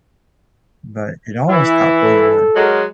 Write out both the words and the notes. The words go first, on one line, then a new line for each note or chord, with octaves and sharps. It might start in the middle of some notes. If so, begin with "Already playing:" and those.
but it almost got blown away.
E3 E4
A4
F#3 G#3 A#4